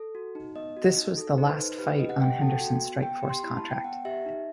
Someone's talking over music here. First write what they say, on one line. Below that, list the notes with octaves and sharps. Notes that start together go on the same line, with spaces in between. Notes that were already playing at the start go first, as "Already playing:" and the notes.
This was the last fight on Henderson's Strikeforce contract.
Already playing: A4
F#4
D#4
B3 D#5
F#4
D#4
A4
D#4 C5
B4
D#4 C5
G4 B4
B4
G4 D#5
F#5
B3 G5
F#5
A4 A5
G5
F#4
B3
B3 G5
G4
C6
E4 B5
A5
B3
G5
B3 F#5
G4 E5
D#4